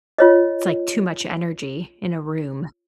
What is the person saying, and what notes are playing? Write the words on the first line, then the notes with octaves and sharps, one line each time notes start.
it's, like, too much energy in a room.
F4 C#5 D#5